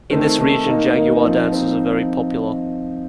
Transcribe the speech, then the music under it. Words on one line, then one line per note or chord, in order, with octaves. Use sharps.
In this region jaguar dances are very popular.
C3 D#3 A3 C4
C3 D#3 A3 C4
D#3 A#3 D#4
D#3 A#3 D#4
F3 C4 D#4
F3 C4 D#4